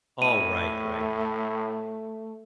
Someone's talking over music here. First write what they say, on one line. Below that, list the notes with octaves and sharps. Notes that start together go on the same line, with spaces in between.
Alright, right.
A2 A3 D#7